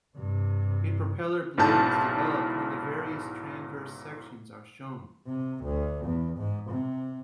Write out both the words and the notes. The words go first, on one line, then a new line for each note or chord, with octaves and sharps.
A propeller blade is developed when the various transverse sections are shown.
G2 C3
B1 G#2 E4 A5 G6
C3
D2
E2
G#2
C3